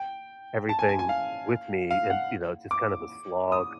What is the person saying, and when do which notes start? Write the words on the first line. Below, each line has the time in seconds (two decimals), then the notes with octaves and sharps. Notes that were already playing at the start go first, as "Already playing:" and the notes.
everything with me and, you know, it's just kind of a slog
Already playing: G5
0.69 A5
0.79 G#5
0.89 G#5
0.99 G#5
1.09 F5
1.91 F5
2.10 F#5
2.71 D6
3.52 D#6